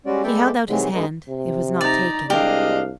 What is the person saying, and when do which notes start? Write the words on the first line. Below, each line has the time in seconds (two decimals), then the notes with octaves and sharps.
He held out his hand; it was not taken.
0.06 G3 G#3 C#4 F#4 D5
0.24 G#3 B3 A4 D5 E5 G5
0.68 C3 D#3 E3 F#3 G#3 A3
0.94 G2 G#3 A3 B3 D#5
1.29 C3
1.81 D#4 D5 A#5
2.30 C2 G#3 D4 G4 A#4 D#5 F5